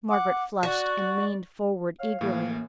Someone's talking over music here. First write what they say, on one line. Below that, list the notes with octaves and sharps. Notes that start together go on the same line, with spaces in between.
Margaret flushed and leaned forward eagerly.
F#5 D6
F#4 D5
C#5 F5
A2 E3 A#3
F#2